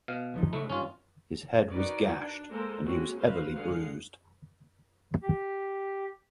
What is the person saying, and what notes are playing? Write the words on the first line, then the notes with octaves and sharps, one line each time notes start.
His head was gashed and he was heavily bruised.
B2 F5
D2 F3 D#4
G#2 C#3 A3 B5
G2 D#3 C#4 F4
D#3 D#4 F#4 A#4 B4 D5
D4
G#3 A#3 A4 A#4 C5
G#3 A#3 C4 C#4 F#4 G#4
F#4 B4 C5 F5
D3 G#3 G#4 F5 F#5
G4